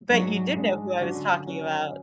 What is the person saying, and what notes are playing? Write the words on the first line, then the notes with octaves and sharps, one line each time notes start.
but you did know who I was talking about.
G#2 F#3 G#3 D4
G#2 G#3 D4
D3 F#3 C#4 F#4
F#3 C#4 F#4